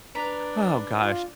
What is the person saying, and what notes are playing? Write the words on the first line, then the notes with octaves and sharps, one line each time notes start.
Oh, gosh.
D4 B4 A#5
F4